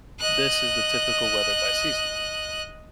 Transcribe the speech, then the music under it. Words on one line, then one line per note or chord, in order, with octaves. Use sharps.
This is the typical weather by season.
D#5 F#6